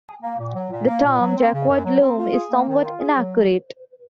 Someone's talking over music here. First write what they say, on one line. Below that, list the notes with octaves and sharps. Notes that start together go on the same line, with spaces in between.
The term "Jacquard loom" is somewhat inaccurate.
A#3
A#2
F#3
A#2
A#3
A#2
F#3
C4
C#3
F#2
F#3
C4
F4
G#4
A#3
D#3
F4
G#4
F#3